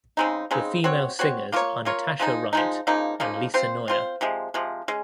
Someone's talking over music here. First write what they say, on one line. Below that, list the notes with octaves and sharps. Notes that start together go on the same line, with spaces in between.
The female singers are Natascha Wright and Lisa Noya.
C#3 G#3 C4 D#4
C#3 G#3 C4 D#4
C4 F#4 C#5
C4 F#4 C#5
A#3 F4 A#4 C#5
A#3 F4 A#4 C#5
F3 G#3 D#4
F3 G#3 D#4
C#3 F3 A#3 D#4
C#3 F3 A#3 D#4
C4 F4 C5
C4 F4 C5
C3 F3 G#3
C3 F3 G#3
G#3 C#4